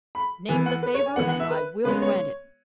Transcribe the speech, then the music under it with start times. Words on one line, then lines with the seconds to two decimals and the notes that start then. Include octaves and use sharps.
"Name the favor and I will grant it."
0.15 B5
0.49 E3 B3 G#5
0.66 F#5
0.83 B4
0.94 C#5
1.06 G#5
1.16 E3 B3 F#5
1.28 F#5
1.40 E5
1.50 B4
1.84 C#3 G#3 B3 B4
2.02 C#5